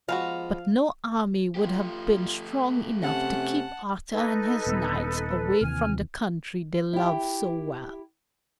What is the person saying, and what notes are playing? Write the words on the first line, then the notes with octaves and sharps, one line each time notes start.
But no army would have been strong enough to keep Arthur and his knights away from the country they loved so well.
F3 G#3 B3 F#4 F5
A3 F4 G4
C3 C#4 F#5 A5
D#4 A4 B4
D#1 B3
D#2 C3 E3 G#5 F6
E4 G4